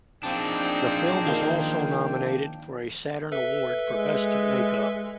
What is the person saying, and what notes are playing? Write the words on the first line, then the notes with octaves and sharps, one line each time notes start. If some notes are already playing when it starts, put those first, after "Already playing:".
The film was also nominated for a Saturn Award for Best Make-up.
F3 C4 D4 D#4 G#4 G5
D#3 A#3 C5
A4 B4 E5
G#3